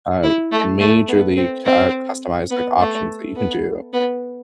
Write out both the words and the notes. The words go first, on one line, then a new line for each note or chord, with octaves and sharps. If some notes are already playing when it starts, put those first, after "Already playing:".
uh, majorly, uh, c customized, like, options that you can do
E4
A3
A3
B3
C4
C4
B3
A3
B3
B3